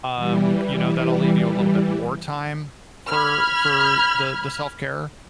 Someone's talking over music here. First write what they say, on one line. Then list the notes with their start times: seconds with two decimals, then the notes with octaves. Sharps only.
um, you know, that'll leave you a little bit more time for for the the self-care,
0.16 E3 G3
3.09 B5 F6 G#6